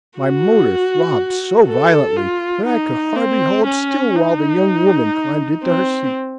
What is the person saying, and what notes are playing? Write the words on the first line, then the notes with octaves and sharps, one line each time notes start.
My motor throbbed so violently that I could hardly hold still while the young woman climbed into her seat.
F#4
A4
F4
D#4
C4
C#4
D#4
C4